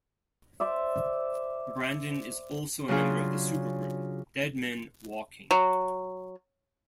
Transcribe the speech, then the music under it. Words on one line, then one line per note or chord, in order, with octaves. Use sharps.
Brandon is also a member of the supergroup, Dead Men Walking.
C5 D5 E5
C#3 F#3 D4 F4 G#4
F#3